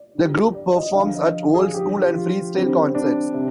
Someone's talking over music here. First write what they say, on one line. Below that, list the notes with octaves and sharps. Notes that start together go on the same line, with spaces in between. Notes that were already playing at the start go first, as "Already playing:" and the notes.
The group performs at old-school and freestyle concerts.
Already playing: D5
D3 G3
D5
D#5
D3 F3 F5
D#5
G#4
D3 F3 G4
G4
F4
D3 G3 C4
D4
C3